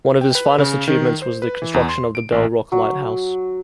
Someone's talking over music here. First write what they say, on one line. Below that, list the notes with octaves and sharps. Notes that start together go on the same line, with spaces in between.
One of his finest achievements was the construction of the Bell Rock Lighthouse.
G5
B4
C#3
D#3
C5
B4
E3
E2
C6
D7
A1
F#3